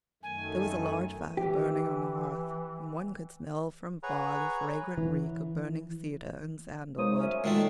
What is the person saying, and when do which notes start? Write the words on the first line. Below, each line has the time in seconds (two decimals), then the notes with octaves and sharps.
There was a large fire burning on the hearth, and one could smell from far the fragrant reek of burning cedar and sandal wood.
0.23 F#2 D#3 A3 G#5
1.37 E3 G4
4.03 G#4 B4 C#5 F#5 A#5
4.97 E3
6.98 G#3 A#3 D#4 C5 C#5 D#6
7.19 F#3 C#4 C#5 E5
7.44 A#2 D#3 F#3 G#3 A3